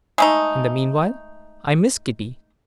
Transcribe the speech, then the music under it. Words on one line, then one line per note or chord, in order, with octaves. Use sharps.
In the meanwhile, I miss Kitty.
G#3 A3 D#4